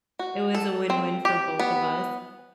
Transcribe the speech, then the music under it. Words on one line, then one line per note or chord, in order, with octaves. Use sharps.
It was a win-win for both of us.
F#4
A4
C4
G4
B3